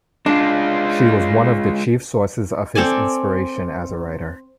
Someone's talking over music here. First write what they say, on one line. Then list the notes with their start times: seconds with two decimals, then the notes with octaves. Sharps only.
She was one of the chief sources of his inspiration as a writer.
0.26 G#3 D4 F4
2.75 C4 A4 D5 G#5